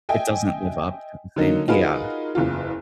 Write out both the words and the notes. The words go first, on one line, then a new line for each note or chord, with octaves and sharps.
It doesn't live up to the same Yeah,
D#5 E5 G5 G#5
D3 D#3 F#3 A#3 D#4
D#4 F4 F#4 G#4 A#4 B4
F#1 E2 F4